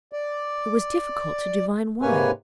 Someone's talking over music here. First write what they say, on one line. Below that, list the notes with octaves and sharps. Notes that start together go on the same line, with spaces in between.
It was difficult to divine why.
D5
G#2 C3 A#3 B4 C#5 G#5